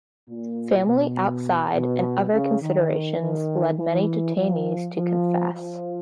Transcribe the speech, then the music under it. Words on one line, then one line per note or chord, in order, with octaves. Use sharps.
Family outside and other considerations led many detainees to confess.
A#2
B2
B2
C#3
D#3
D#3
E3
F3
F3
F3